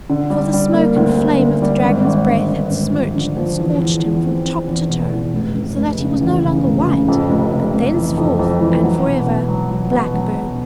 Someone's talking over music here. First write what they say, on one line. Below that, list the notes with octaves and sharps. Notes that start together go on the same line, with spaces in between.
For the smoke and flame of the dragon's breath had smirched and scorched him from top to toe, so that he was no longer white, but thenceforth and forever Blackbird.
D3
G3
G3
A#3
D2
G3
D3
G3
G#1
G#1
D3
G2
G#1
F3
D3
F3
E2
E2
E2
C4
C4
E2
B2
E2
F1
F1
F1
C#3
E2
C#3
F1
C#3
F2
F1
C3
F1
E3
F2
F2
E3
F#3
B2
B2
F#3
F#3
B2
F#3
B2